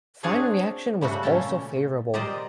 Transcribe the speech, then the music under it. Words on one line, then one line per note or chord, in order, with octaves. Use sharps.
Fan reaction was also favorable.
C4 D4 F#4 G#4 C#5 F5
C#3 G3 A3 F#4
A#2 A3 C#4 G5 A5
G4 A#4 C5 D5 D#5